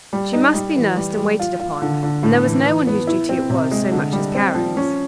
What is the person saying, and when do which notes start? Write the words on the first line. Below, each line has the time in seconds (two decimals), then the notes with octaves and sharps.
She must be nursed and waited upon, and there was no one whose duty it was so much as Karen's.
0.13 G3
0.33 D#4
0.55 G3
0.76 E3
0.97 G3
1.18 G3
1.40 F4
1.60 F4
1.82 D3
2.03 D3
2.23 A2
2.44 E3
2.66 E3
2.87 B3
3.07 E4
3.29 C4
3.50 C3
3.71 G#3
3.92 D3
4.13 G3
4.35 C4
4.55 F3
4.77 C#4